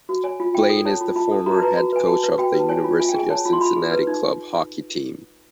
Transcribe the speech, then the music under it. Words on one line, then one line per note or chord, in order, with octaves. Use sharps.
Blaine is the former head coach of the University of Cincinnati club hockey team.
F#4
C#5 G#5
F4
F4 G5
A4
C#5 A5
F4
F4 A5
A4
F#4 A#5
A5
B4 A#5
F#4
B4 G#5
F#4 A5
B4
F#4 G5
B4
A5
C#5 G#5
F4
F4 G#5
G5
G#4 G#5
C#5 A5
F4
C6
F4 B5
G#4
B4
D#4